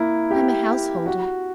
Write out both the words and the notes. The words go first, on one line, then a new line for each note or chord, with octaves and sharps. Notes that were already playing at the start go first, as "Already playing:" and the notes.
I'm a householder.'
Already playing: A#3 E4
G4
F#4